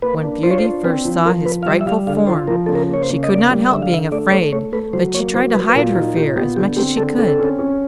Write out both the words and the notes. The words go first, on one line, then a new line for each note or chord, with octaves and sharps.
When Beauty first saw his frightful form, she could not help being afraid; but she tried to hide her fear as much as she could.
A#3 B4
D4
F4 C5
C#5
C5
D4
C4 B4
F3
F3 A#4
F3 B4
F5
G3 E5
E5
G3 F5
D3 F5
F4 C5
F3 A#4
C#3 A4
A#4
A#3
C#5
C5
C#3
D#5
A#3 D5
G3
D3 E5
F5
D3 E5
A3 D5
A3 C#5
A3 C#5
A3 B4
F#3 C5
A#3 C#5
F#3 C5
F#3 B4
B4
A#2 A#4
D#4 F4
A#2 G4
B3 G4
D3 G4
C4 G4
D3 A4
C4 A4
C#4
C#4